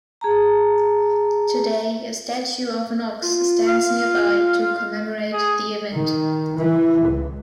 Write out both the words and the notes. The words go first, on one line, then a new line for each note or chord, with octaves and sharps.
Today, a statue of an ox stands nearby to commemorate the event.
G#4 A5 A#5
F4
F5
G#4
D#3
E3
C#2